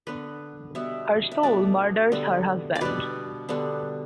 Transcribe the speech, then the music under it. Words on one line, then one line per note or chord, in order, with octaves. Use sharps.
Her soul murders her husband.
D3 B3 D4 B4
B2 G3 B3 E5
E5
B2 A3 D4 D5
D3 G3 B3 D4
D5
B2 G3 D4 B4
D3 G3 B3 D4